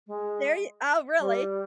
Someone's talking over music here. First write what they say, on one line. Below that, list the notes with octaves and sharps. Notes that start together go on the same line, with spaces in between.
There you oh, really?
G#3
G3